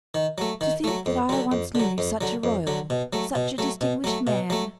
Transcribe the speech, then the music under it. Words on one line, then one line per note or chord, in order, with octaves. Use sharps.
"To think that I once knew such a royal, such a distinguished man!"
D#3
F#3 A3
D#3
F#3 A3
F2
D3 F#3
F2
D3 F#3
F2
D3 F#3
F2
D3 F#3
B2
F#3 A3
B2
F#3 A3
B2
F#3 A3
B2
F#3 A3